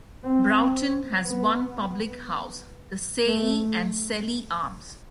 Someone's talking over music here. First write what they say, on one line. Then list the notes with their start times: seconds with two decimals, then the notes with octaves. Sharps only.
Broughton has one public house, the Saye and Sele Arms.
0.24 C4
1.25 B3
3.26 A3